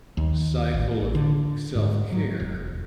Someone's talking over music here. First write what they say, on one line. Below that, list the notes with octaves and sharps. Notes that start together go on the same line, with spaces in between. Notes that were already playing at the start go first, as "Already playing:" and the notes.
cycle of self-care
D#2
A1
D3
G#2
F#3
E1